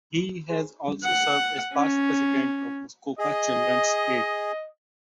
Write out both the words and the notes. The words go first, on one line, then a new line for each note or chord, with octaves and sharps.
He has also served as past president of Muskoka Children's Aid.
F#5
C#4
G#4 D#5